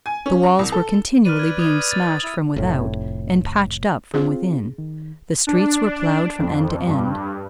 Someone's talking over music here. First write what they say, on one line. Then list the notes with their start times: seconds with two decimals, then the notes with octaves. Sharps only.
The walls were continually being smashed from without and patched up from within. The streets were ploughed from end to end.
0.06 G#5
0.26 C#4
0.44 A#5
0.59 C2
0.72 A4
1.25 B4 D5 F6 D#7
1.39 G#6
1.59 D#6 G#6
1.91 A6
2.24 E4
2.56 F1 A2
4.14 C4 F4 G#4
4.78 D#3
5.47 D4
6.38 F2
6.86 G2